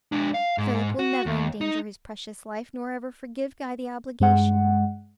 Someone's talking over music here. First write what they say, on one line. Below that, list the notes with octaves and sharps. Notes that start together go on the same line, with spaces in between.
Philip will never endanger his precious life, nor ever forgive Guy the obligation.
G#3 D4
F5
G#2
F#4
D#2
D#4
G2 G#3 F#5